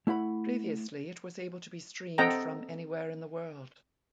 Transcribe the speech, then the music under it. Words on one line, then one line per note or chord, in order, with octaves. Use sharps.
Previously it was able to be streamed from anywhere in the world.
A3 E4 F#5 B5
C4 A4 D#5 F#5 G5 A#5